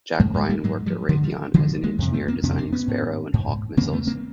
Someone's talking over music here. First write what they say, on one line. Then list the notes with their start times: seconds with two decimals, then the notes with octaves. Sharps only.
Jack Ryan worked at Raytheon as an engineer designing Sparrow and Hawk missiles.
0.20 G#2 G3 A3
0.34 G#3 A#3
0.49 G3 A3
0.64 G#2 F#3 G#3
0.86 F3 G3
1.09 D3 F#3 G#3
1.14 G2
1.23 F3 G3
1.54 G2 D3 E3 F#3
1.84 G#3 A#3
1.99 F2 C3
2.13 A3 B3
2.28 A#3 C4
2.43 F2 C3 B3 C#4
2.58 C4 D4
2.73 B3 C#4
2.88 G#2
3.34 G#2
3.77 C#3 A#3 C4
3.80 E2
3.93 A3 B3
4.07 A#3 C4